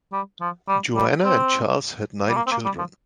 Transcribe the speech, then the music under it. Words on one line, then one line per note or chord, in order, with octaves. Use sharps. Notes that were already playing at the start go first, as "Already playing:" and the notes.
Joanna and Charles had nine children.
G3
F3
G3
G3
C4
G3
A#3
C4
A#3
G3
F3